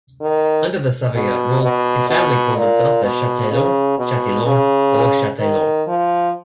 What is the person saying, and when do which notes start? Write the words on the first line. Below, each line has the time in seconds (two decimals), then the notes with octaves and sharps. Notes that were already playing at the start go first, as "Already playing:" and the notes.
Under the Savoyard rule his family called itself Chateillon, Chatillon, or Chataillon.
0.21 D#3
1.15 B2
1.63 B2
2.10 B2
2.57 A#2
3.04 B2
3.51 C#3
3.99 B2
4.46 C#3
5.40 D#3
5.88 F3